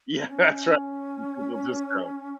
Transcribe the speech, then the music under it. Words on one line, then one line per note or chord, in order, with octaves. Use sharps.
Yeah, that's right, and people, just, go.
C4
C#4